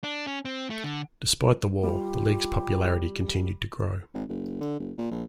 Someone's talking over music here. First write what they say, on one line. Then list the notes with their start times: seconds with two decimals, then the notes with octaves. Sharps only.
Despite the war, the league's popularity continued to grow.
0.04 D4
0.27 C#4
0.45 C4
0.70 A3
0.84 D3
1.83 G3 F4 G4
4.14 G#1
4.29 F#1
4.61 D3
4.80 F#1
4.98 A#2
5.11 A#1